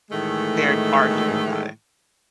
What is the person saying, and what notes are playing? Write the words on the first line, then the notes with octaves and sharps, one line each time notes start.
they're d arguing about it.
A2 D#3 E3 G#3 A3